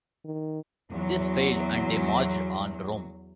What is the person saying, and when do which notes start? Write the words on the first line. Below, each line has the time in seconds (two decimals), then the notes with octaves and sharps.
This failed and they marched on Rome.
0.25 D#3
0.92 E2 F#3